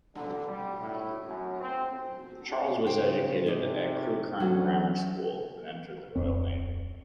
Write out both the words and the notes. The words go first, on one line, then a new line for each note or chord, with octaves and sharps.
Charles was educated at Crewkerne Grammar School and entered the Royal Navy.
D3
G3
A2
F#2
C4
C#3 C5 G5
C3 D#4 G#4 D5
D2 F#3 C#4
D1 F2 C4